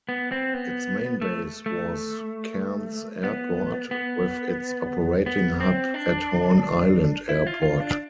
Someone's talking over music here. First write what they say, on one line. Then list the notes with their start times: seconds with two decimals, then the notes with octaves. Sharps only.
Its main base was Cairns Airport, with its operating hub at Horn Island Airport.
0.09 B3
0.32 C4
0.54 B3
1.21 A3
1.66 A3
3.24 B3
3.91 B3
5.26 B3
5.60 C4
5.94 D4
7.29 E4
7.47 F4
7.62 F4
7.80 D4